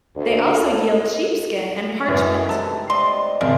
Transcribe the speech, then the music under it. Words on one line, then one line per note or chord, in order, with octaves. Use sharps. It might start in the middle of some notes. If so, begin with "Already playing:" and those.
They also yield sheepskin and parchment.
D2
A4
F#2 E3 G#3 A3 D#4
C3 A4 A#5
B3 D5 D#5 C6
G#1 C#3 D#4 A#4